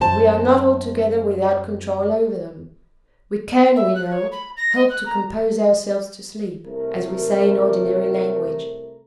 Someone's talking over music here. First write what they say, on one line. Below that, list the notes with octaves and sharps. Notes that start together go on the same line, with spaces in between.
But we are not altogether without control over them. We can, we know, help to compose ourselves to sleep, as we say in ordinary language.
F#2 C5 A5
E5
F#6
C#5
B5
A#6
D#5
F#6
A#5
C2 A3 A#4